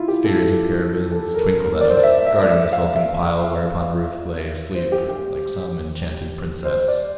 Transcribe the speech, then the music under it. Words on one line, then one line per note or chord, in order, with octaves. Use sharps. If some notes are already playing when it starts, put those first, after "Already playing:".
Spheres and pyramids twinkled at us, guarding the silken pile whereon Ruth lay asleep--like some enchanted princess.
Already playing: E4 F4
G4
A4
A4
A#4
A#4
D5
C5
D5
E5
E5
D5
E5
F5
E5
C5
G4
G4
C5
D5